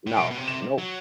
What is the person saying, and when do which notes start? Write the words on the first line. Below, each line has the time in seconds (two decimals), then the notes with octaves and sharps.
No, nope.
0.07 A2
0.17 B2 D7
0.31 B2
0.37 C3
0.48 E7
0.78 F#3